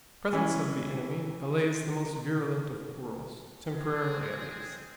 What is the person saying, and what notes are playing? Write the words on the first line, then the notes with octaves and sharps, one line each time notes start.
The presence of the enemy allays the most virulent of quarrels, temporarily at least.
E3 C#4
G#3 C4 G#4 G#5